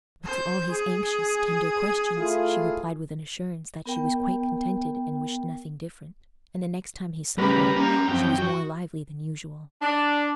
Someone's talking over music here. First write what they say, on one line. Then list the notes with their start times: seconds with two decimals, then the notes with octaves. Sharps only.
But to all his anxious, tender questions, she replied with an assurance that she was quite contented and wished nothing different; and the next time he saw her she was more lively than usual.
0.24 C5 G6
0.71 G#4
2.17 A3 E4 F4
3.86 B3 A#4 G5
7.38 A2 C#3 G3 A#4 B4
7.76 G3 A#3 C#4 A#5
8.08 F#2 F3 C4 G5
8.38 F#4
9.81 D4